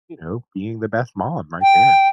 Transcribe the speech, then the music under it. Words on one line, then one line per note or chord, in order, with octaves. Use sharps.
you know, being the best mom right there.
G5